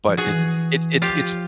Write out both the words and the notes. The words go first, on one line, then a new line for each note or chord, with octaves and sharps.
but it's it's it's it's
F3
F#4 G#4
E3
F3 F4 G4